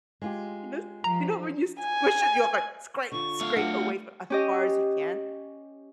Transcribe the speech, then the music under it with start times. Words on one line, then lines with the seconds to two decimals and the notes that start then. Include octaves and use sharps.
You know you know when you squish it, you're like, "Scrape, scrape away," for as far as you can?
0.22 G#3 F4 G4
1.04 F3 A#5
1.82 G#5
3.12 D3 F4 C#6
3.41 A3 F5
3.56 F#3 D4 F4 F#5
4.30 C#4 G4 D#5